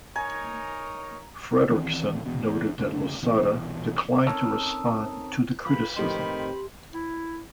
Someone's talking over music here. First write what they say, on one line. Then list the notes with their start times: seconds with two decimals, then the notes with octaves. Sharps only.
Fredrickson noted that Losada declined to respond to the criticism.
0.16 D#4 A#4 C#5 G#5 A#5
1.70 D#1 D#3 E3 C4
2.25 E2 B2
2.45 E2
2.78 F1 D2 C#3
3.22 C2 B2 E3
4.26 C4 C#4 D#4 A4 A#4 C#5
5.66 D#4 F4 B4 G5 B5
5.96 F2 A2 D#3 C4 G4 C6
6.93 E4